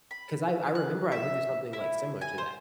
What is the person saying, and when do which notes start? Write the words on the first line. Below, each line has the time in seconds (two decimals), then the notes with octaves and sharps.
'cause I I remember I went through something, like, similar to that.
0.11 B5
0.75 F#6
1.12 E5
1.73 E4
2.21 G#5
2.38 C5